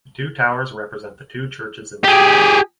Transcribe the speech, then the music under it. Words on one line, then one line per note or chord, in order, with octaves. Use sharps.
The two towers represent the two churches in the town.
G4 G#4